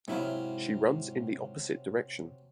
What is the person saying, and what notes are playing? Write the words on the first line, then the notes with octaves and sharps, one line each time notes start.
She runs in the opposite direction.
G#2 C3 F#3 C#4 E4 F5